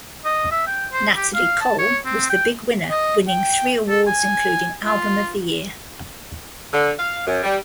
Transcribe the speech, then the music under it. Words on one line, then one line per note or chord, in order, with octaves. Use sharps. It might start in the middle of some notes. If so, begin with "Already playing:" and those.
Natalie Cole was the big winner winning three awards including Album of the Year.
D#5
E5
G5
C5
G4
F5
A5
C#5
C4
G5
D#5
G5
A4
G#5
F4
D3
F5
F#2
G3